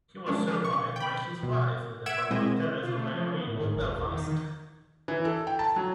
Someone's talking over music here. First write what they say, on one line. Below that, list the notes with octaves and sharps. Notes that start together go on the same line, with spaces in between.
He was survived by his wife, the former Teresa Lavery of Belfast.
F3 G#3 C#4 D4
C#6
G5 B5
B2
E5 F#5 E6 G#6 D7 E7
G#3 C4 E4 D#5
F4
A3
F3
B3
A2
G#2
G1
E2
D#3
D#3
E3
A4
G5
A5
F#3